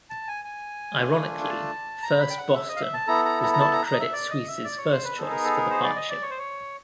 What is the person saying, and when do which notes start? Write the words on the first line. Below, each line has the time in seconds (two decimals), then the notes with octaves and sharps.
Ironically, First Boston was not Credit Suisse's first choice for the partnership.
0.10 A5
0.28 G#5
0.45 G#5
0.98 A3 D4 F4
1.44 G#5
1.49 A5
2.03 A#5
2.20 B5
2.30 G5
2.38 F#5
2.54 E5
2.68 D#5
2.76 F5
2.81 E5
2.94 A5
3.07 B3 E4 A4 A#5
3.25 A#5
3.43 A#5
3.53 A#5
3.60 A5
3.73 A#5
3.87 A#5
3.92 D#5
3.99 E5
4.13 D5
4.30 D#5
4.48 E5
4.64 D5
4.78 C#5
4.91 C5
5.04 B4
5.17 B3 D#4 G#4 A4
5.31 A#4
5.44 A4
5.56 A#4
5.70 C5
5.84 D5
5.96 D#5
6.10 D5
6.22 C#5
6.30 C5
6.38 C#5